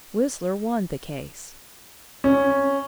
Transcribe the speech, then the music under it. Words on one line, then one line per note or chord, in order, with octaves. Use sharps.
Whistler won the case.
C#4